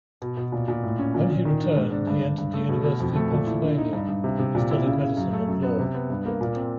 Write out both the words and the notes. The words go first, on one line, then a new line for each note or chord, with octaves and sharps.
When he returned he entered the University of Pennsylvania and studied medicine and law.
B2
B2
A#2
A#2
A2
C#4
A#2
A#2
D#3
D4
G#2
D4
G2
G2
G2
A3
B2
B2
F2
A3
A#2
E4
D3
D#4
G2
G2
C3
C3
A#2
E4
C#3
C#3
F#2
A3
F#2
B3
C3
B3
G2
A#3
A#2
C4